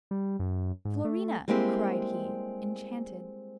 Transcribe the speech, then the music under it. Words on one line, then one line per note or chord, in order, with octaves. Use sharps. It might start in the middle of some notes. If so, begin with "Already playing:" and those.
"Florina!" cried he, enchanted.
G3
F#2
G#2
A3
G3 G#3 A#3 C4 E4 G4